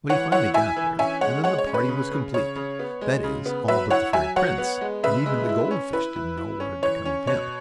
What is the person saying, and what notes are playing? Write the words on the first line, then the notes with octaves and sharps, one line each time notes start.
But he finally got there, and then the party was complete; that is, all but the fairy prince, and even the goldfish didn't know what had become of him.
E3 C#5 F#5
E4 C#5 F#5
E4 E5 G#5
E3
C#4 E5 G#5
G#3 C#5 F#5
G#3 C#5 F#5
C#5
C#4
B4
C#3
C#3
C#3 C#5
C#3
B3
G#3
C#3
B3
F#3 B4 E5
E4 C#5 F#5
F#3 E5 G#5
F#3 C#5 F#5
B3
G#3
C#3 B4 E5
G#3
E4
C#4
E4 B4
E4
E4
C#4
E3 C#5
C#4
B2 C#5